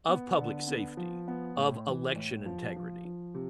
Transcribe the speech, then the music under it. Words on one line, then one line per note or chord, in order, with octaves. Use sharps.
of public safety, of election integrity,
B3
D3
B3
F3
B3
A2
E3
A2
F3
F3
F3
C3